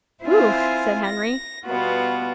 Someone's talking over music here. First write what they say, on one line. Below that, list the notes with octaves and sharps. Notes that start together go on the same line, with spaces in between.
"Whew!" said Henry.
C4 E4 F4 C5 G#5
A#6
B2 G3 B3 F4 F#4